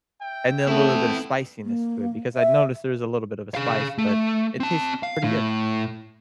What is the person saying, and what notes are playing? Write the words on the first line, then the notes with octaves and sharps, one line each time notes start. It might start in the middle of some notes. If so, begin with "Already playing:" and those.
and then a little bit of spiciness to it, because I noticed there's a little bit of a spice, but it tastes pretty good.
E5 G5
A3 B3 C4 E4
A#3
E5
G#4 F5
A3
C4 A5
F5
A2